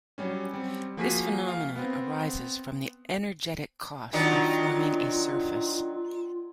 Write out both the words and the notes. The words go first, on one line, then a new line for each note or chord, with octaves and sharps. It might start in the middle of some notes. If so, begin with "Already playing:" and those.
This phenomenon arises from the energetic cost of forming a surface.
F#3 G3 C#4
G3 C4
F3 A#3 F#4 G#4 B6 D#7
F5
B3 C4
D#3 F#3 D4 F4